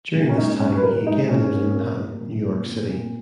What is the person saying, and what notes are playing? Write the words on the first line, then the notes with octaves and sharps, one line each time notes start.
During this time he again lived in Manhattan, New York City.
A#2
C#4
G#3 D#4
A#2 C#4
B4
A#2 A#4
G#3 D#4
A#2 C#4
A#3
A#3
A#3
A#2
A#2
A#2
A#2